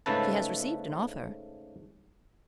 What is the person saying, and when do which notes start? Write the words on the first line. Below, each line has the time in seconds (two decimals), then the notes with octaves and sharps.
She has received an offer.
0.06 G#2 C#3 A3 A4 B4 A5